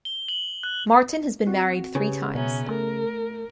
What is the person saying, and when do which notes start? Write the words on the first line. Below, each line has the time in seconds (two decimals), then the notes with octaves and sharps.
Marton has been married three times.
0.05 G7
0.28 F#7
0.63 F#6
1.46 C4 F#4
1.95 C#3 G4 B4
2.35 B2 B3 C#4 E5 A#5
2.69 A3 A#4